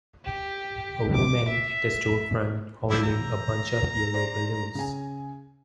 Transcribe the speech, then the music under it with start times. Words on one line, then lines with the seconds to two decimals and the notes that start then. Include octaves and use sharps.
A woman at a storefront holding a bunch of yellow balloons.
0.25 G4
1.14 D6
1.48 E5
2.90 F3 D4 E4 D6 E6 G6
3.03 A1 A#5
4.14 C5 D5
4.75 C#3 G#5